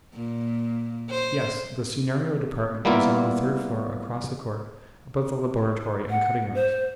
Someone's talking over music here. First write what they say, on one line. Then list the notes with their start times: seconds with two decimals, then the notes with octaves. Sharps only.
"Yes, the scenario department is on the third floor across the court, above the laboratory and cutting rooms."
0.14 A#2
1.10 C5
2.85 G3 A#3 B3 E4 F4
6.10 F#5
6.54 C5